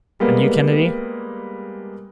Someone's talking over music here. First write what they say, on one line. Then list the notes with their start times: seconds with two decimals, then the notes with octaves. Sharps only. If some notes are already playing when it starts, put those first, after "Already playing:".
"And you, Kennedy?"
0.20 G3 G#3 A#3 B3